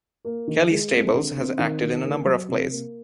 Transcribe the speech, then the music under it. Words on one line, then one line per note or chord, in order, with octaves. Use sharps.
Kelly Stables has acted in a number of plays.
A#3
D#3
G#3
C4
D3
C4
D#3
D#3
A#3
F#3
C3
A#3